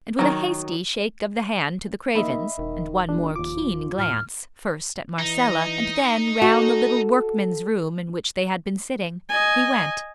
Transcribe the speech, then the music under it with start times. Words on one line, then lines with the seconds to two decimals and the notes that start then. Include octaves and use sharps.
And with a hasty shake of the hand to the Cravens, and one more keen glance, first at Marcella and then round the little workman's room in which they had been sitting, he went.
0.19 D#3 F#3
2.15 D#3 A#3 D#5 E5 B5
2.58 E1 D#3
3.09 G1 D4
3.36 D#2 F3 D6
3.99 A2 F6
5.19 E3 D#4
6.42 F#4 A4
9.29 D#5 G#5